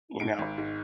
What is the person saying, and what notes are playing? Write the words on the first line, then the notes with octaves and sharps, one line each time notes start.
You know?
G#2 D7
G#1
G#2